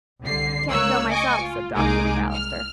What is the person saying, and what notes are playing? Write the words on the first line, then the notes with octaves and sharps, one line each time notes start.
"Can't go myself," said Dr. McAllister.
C2 D3 C7
C#2 A3 A#3 C#5 E6 F#6
D#5 G#5 C#6 D6
F4
C2 G#3 A#3 D#4 G#4 D6
F6